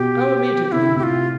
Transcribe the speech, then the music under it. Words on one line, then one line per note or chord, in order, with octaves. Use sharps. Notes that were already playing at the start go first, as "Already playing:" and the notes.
Go immediately.
Already playing: B2 G4
C3 E4
D3
A2 C3 G4
F4